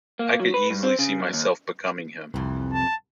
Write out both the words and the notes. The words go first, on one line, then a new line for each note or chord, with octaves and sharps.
I could easily see myself becoming him.
A#3
F#3
B4
G2
C4
C#3
F#2
D#2
C2 F2 E3
A5